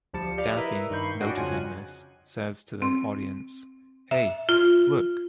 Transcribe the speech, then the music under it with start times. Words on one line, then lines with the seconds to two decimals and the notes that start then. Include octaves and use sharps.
Daffy, noticing this, says to the audience, Hey, look!
0.13 D2 F3 G3 A5 C#7
0.38 G4 D5 F5
0.57 E4 A#4 B4 D#5 E5
0.90 G2 D#3 B5 C#6 G6 C7
1.20 C#4 D4 F#4 D#5 F#5 G5
1.36 F2 C#3 F4 G#5 F#6
2.82 C4
4.11 E5
4.49 F4